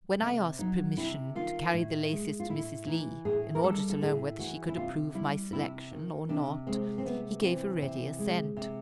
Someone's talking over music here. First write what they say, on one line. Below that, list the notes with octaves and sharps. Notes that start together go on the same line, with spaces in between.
When I asked permission to carry the laces to Mrs. Lee, in order to learn whether she could approve my selection or not, he gave a ready assent.
C3 A3
F#3 D#4
C3 E4
D#3 F4
A2
G#3
F4
A2 E4
E3 D#4
A2 G#4
A#4
G3 A4
A4
A2 G#4
E3 F#4
E4
C3 F4
G3 E4
C3 E4
D#3
C3 D4
G#3 C4
C4
C3 B3
E3 C4
C3
G#3
C3